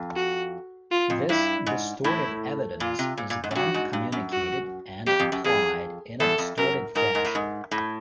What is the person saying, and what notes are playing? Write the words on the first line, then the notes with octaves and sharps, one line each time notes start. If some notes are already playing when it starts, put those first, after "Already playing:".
This distorted evidence is then communicated and applied in a distorted fashion.
Already playing: F2
F#4
F4
F2
G2 E4
G#2
A2 E4
A#2 F4
C3
A#2
A#2
G#2
F#2
G2 F#4
G#2
G2
F#2
F#4
F2 G4
F2
F#2
F2 G#4
E2 A4
F2
F#2 A#4
G#2 A#4
G#2
A2
G#2
A2